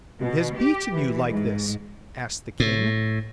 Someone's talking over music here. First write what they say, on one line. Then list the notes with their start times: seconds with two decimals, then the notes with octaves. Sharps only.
'Who has beaten you like this?' asked the King.
0.20 B2
0.56 G4
0.93 E3
1.29 G#2
2.60 A2